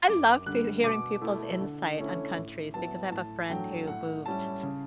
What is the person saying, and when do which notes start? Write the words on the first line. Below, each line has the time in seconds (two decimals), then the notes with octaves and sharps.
love peo hearing people's insight on countries, because I have a friend who moved,
0.08 F#2 D6
0.46 D3 G3 F#6
0.84 B2 D6
1.22 A3 E4
1.61 D3
1.98 A3 C#4 E4
2.36 A2
2.74 F#3 B3 E4 A5
3.11 A2 A5
3.50 F#3 A3 D4 G5
3.88 A2 F#5
4.26 G3 C#4 E4 A5
4.63 C#3